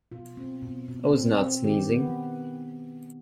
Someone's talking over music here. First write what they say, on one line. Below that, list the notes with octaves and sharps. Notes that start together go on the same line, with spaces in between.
I was not sneezing.
B2 F4
C4
B2
B2
C4
C4
D#3 G4
B3